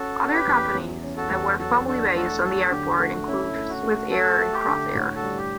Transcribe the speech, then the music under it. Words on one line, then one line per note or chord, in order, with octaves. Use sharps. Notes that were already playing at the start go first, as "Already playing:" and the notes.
Other companies that were formerly based on the airport include Swissair and Crossair.
Already playing: C#4 F#4 A4
C#4
G4 B4
E2
E2
C#4
F#4 A4
E2
F#3 F#4 A4
D4 F#4 A4
A3 F#4 A4
F#3 F#4 A4
D3 G4
A3 F#4
C#4 E4
A3
F#4
A3
A3 F#4 A4
A3
G4
D3
A2 F#4
F#4 A4
G3
G4